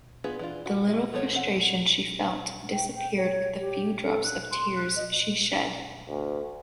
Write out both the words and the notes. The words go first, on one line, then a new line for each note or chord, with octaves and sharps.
The little frustration she felt disappeared with the few drops of tears she shed.
B3 D4 F4 G#4 B4
E3 D4 F4
F#4
E4
F3 A3 B3 C#5
E3 C4 A4 F#5
G5
G5
C#5
G4
A4
F#6
C6
F#6
D#5
D2